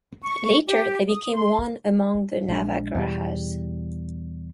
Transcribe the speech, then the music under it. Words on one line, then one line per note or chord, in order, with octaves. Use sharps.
Later they became one among the Navagrahas.
C#6
G4
D#6
C6
A#1 G#3 D4
E2 B2 G3